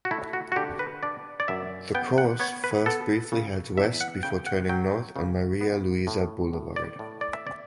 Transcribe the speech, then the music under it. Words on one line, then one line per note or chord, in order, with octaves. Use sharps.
The course first briefly heads west before turning north on Maria Luiza Boulevard.
F#4
A3 E4
F#4
F#4
D3 G4
B4
D4 D5
D5
F#2 E5
B3 G5
F#5
B3 C#5
B4
B3 A4
C#3
E2 E5
F#5
C#3 G5
F#5
F#3 G5
C#3
B3
A2
A2
D5
A2
D5
E5
D5